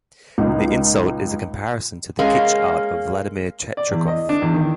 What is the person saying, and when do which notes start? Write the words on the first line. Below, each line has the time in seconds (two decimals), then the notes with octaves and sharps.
The insult is a comparison to the kitsch art of Vladimir Tretchikoff.
0.38 C#2 A#2 D#4
2.19 G#3 A#3 C#4
3.77 D5
3.92 E2
4.08 D#5
4.29 D4
4.42 E2
4.54 D#3